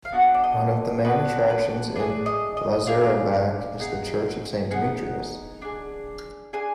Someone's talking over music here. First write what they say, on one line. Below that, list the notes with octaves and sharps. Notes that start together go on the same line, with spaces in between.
One of the main attaractions in Lazarevac is the Church of St.Demetrius.
F5
B3 D4 F#4 F#5
D5
D#5
B3 D4 F#4 B4
B4
D4 G#4 B4
D#5
D#5
D4 G#4 F5
B3 D#4 G#4
B3 D#4 G#4 F#5
D4 G#4
D4 G#4 G#5